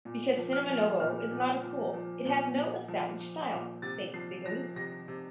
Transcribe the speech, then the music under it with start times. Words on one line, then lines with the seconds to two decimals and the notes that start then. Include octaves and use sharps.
"Because Cinema Novo is not a school, it has no established style," states Diegues.
0.05 A#2
0.38 F3
0.53 F6
0.69 F3
1.00 A#2 F6
1.31 A#2
1.63 F3
1.94 F3
2.25 A#2
2.57 A#2
2.88 F3
3.20 F3
3.51 A#2
3.82 C3 A6
4.14 F3 C7
4.45 F3 A#6
4.76 C3 A#6
5.08 C3